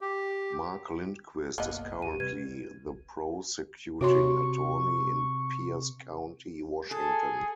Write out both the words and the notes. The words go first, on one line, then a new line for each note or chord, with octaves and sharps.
Mark Lindquist is currently the Prosecuting Attorney in Pierce County, Washington.
G4
F#1 B1 A#3 B3 D#5
D#2 G#2 G4 D#7
C3 G3 C4 B4 G#6 D#7
C3 F#4 C#5 C6 C#6
G#4 A4